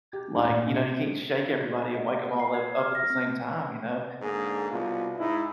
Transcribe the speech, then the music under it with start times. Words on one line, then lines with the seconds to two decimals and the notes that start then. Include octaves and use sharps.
Like, you know, you can't shake everybody and wake 'em all up up at the same time, you know?
0.13 G4
0.35 D#2
0.48 A#2
0.67 B2
1.94 D#5
2.08 F#5
2.25 B4
2.40 C7
2.54 G#6
2.78 F6
2.95 A#6
3.10 C4
4.22 G#2 D3 A#3 G#4
4.71 C2 B2 F4
5.17 G#2 D#4 E4